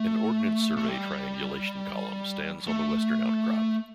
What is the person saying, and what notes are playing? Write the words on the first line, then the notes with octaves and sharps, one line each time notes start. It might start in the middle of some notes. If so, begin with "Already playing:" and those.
An Ordnance Survey triangulation column stands on the western outcrop.
Already playing: A3
A3
G3
A3